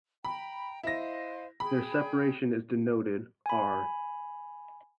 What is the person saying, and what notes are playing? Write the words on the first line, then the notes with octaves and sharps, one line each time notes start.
Their separation is denoted "r".
G5 A#5 B5
E4 C5 D#5 F5 A#6
G#4 G5 B5
G#5 B5